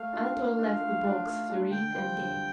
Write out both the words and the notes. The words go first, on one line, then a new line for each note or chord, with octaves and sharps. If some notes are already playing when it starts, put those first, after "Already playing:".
Anatole left the box, serene and gay.
Already playing: A3 F5
D4 F4
A3
D4 F4
A3
D4 F4
A3
D4 F4
D3 G5
G3 C4 F4 C5
D3